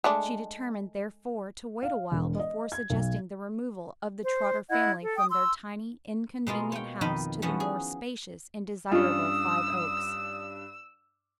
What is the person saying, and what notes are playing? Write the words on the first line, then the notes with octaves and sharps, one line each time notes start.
She determined, therefore, to wait awhile before suggesting the removal of the Trotter family from their tiny, inconvenient house to the more spacious and desirable Five Oaks.
G#3 A3 D4
F5
E1
D#5
G#6
B1
C5
E4 D#5 F#5 G#6
A4
G5 D#6
C6 E6
B2 G#3 A#3 F4
C#5 G5
F2 B2 D#3 D#4 D#5 B5
E3 F3 A3 B3 C#4 F#4
G#4
G2 C#4 D4 F4 F5 D#6 E6